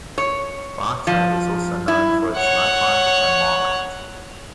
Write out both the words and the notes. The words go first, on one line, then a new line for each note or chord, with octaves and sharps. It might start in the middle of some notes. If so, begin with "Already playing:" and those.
Bata is also known for its nightlife and market.
C#5
F3
E4
C#5 F#5